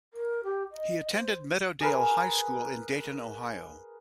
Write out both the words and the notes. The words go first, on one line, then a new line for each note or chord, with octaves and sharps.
He attended Meadowdale High School in Dayton, Ohio.
A#4
G4
D#5
C5
G#4 A#4 B4